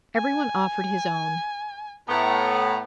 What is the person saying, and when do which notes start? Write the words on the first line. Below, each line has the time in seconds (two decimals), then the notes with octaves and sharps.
Everyone offered his own.
0.16 G#5
2.08 A2 B3 A#5